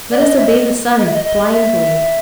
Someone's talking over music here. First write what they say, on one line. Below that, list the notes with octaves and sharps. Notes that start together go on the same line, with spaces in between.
Let us obey the sun blindly.
D5
D#5
E5
D#5
D#5
E5
D#5
D#5
E5